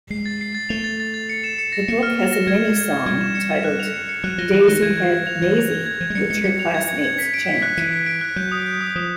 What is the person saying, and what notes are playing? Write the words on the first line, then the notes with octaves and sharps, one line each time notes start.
The book has a mini-song titled "Daisy-Head Mayzie" which her classmates chant.
G#3 C7
A6
C7
A6
A3 F7
A6
A6
A6
C#7
E7
C#7
A#6
A#3 C#7
F6
E7
A#6
G#3 G#6
G#6
G#6
G#6
G3 G#6
E7
C#7
G#6
F#6
F7
C#7
C#7
F#3 F#6
F3 A#6
E3 F#6
D#3 A#6
E3 G#6
G#6
G#6
F7
E3 G#6
F7
G#6
G#6
F3 G#6
G#3
G3 C#7
G#3 C#7
G3 C#7
F7
G#6
G#6
G#6
B6
D7
B6
F#6
E3 B6
B6
D7
F#6
F#3 G6
D#6
G6
D#6
F3 D#6